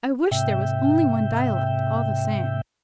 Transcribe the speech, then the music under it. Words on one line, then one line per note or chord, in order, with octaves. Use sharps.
I wish there was only one dialect all the same.
G#2 C3 E5 G5